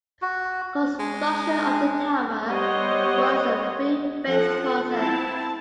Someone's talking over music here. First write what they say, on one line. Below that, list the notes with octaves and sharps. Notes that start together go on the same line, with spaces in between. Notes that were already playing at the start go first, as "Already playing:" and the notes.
Construction of the tower was a three-phase process.
F#4
G#3
D4
G3 B3 C5 C#5 D#5 F#5
F3 A4 F#5
C4 E4 A5